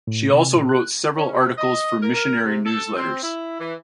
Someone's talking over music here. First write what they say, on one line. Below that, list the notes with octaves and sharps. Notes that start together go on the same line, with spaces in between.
She also wrote several articles for missionary newsletters.
A2
C3
A#2
F#6
C#4
C3
D#5
A#4
A#4
C3
A4
C4
E4
E3